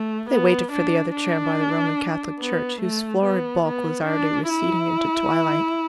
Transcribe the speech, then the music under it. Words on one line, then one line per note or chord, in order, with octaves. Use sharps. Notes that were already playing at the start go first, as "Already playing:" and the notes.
They waited for the other tram by the Roman Catholic Church, whose florid bulk was already receding into twilight.
Already playing: A3
B3
D4
D4
B3
A3
B3
B3
D4
E4